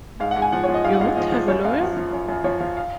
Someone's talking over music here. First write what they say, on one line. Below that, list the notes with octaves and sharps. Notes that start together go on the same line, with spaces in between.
You won't have a lawyer?
G#2 F5
F#5
G#2
G#5
F3 F#5
C#5
F3
D#5
G#2 F5
F#5
G#2 F5
F3 D#5
F3
F#2 C#5
F#2 F5
F3
F3
F#2
F#2
F3 C#5
F3 F5
F5